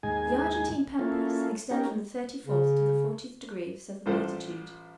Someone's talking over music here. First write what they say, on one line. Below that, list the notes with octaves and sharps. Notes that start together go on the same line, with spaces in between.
THE Argentine Pampas extend from the thirty-fourth to the fortieth degree of southern latitude.
D#2 G#2 D#4 G#4 G#5
A#3 C#4 E4 F4 A4
C#4 D#4 G4 A#4
C#3
A1 F3 G3 A4 C5